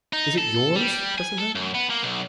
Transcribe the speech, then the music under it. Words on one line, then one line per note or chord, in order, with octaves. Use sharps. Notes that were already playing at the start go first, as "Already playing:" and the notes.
"Is it yours, Cousin Helen?"
D#4
A4
G3
G#5
A4
F#2
B3
A#3
B1